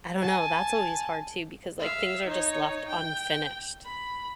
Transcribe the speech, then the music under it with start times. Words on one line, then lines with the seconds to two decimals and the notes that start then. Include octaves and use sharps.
I don't know. That's always hard too because like things are just left unfinished
0.21 G#5 A5
1.79 E5 F5
2.26 D#4 C#5
2.88 G5
3.85 B5